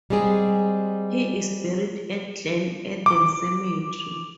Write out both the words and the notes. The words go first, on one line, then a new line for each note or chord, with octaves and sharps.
He is buried at Glen Eden Cemetery.
G3 G#3 C4 G#4
D6